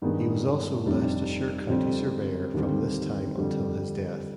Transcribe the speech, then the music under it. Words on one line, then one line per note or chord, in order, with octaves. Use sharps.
He was also Leicestershire County Surveyor from this time until his death.
G2 D#3 G#3 B3
F1 F2 C3 G3 D4
F2 D3 G3 C4
D#2 D3 G3 C4
F2 D3 G3